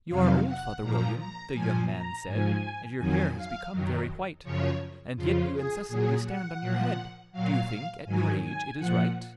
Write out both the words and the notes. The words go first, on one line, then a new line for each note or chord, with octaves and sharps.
'You are old, Father William,' the young man said, 'And your hair has become very white; And yet you incessantly stand on your head-- Do you think, at your age, it is right?'
F2 C3 D#3 F#3 F5
F#5
A#2 F3 A#5
A#5
A#2 F3 G#5
A#5
G#2 F3 G#5
F2 D#3 F#3 G#5
F5
F#2 D#3 F#3
F#2 C#3 F3 C#5
F2 C#3 F3 F4
G#4
A#2 F#3 G#4
F#5
A#2 F3
A#2 F#3 F5
G#2 D#3 F#3 G#5
G#5
A#2 F3 F#5